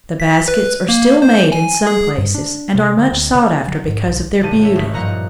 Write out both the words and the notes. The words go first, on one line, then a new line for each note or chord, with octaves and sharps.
The baskets are still made in some places, and are much sought after because of their beauty.
B6
B4
A#3
C5
G#5
G#4
G2
D4
C3
D3
D2
C#3
F#3
G#2
B1
G#1 A2 C3 A5 D#7
C#4 C#5 E5
G#1 D#3 A3 B6
G2 F3 D#5 A#5 F#6 C#7
A#2